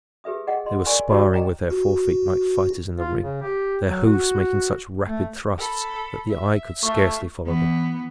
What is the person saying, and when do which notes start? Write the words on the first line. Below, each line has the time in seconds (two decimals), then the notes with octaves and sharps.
They were sparring with their fore feet like fighters in the ring, their hoofs making such rapid thrusts that the eye could scarcely follow them.
0.24 G4 G#4 B4 E5 D#6
0.47 G#4 D#5 F#5 G5
0.66 D#5 C6
0.85 A#4 C5 D5 G#5 C#6 E6
1.09 E4 F#4 D5 C#6 D6
1.34 D#5 G5 A#5
1.70 F#4
2.98 F4
3.21 C#3
3.42 G4
3.85 F#3
4.06 F#4
5.06 A3
5.58 A4 B5
6.29 E5
6.83 A3 F4 E5 C#6
7.48 E3 B3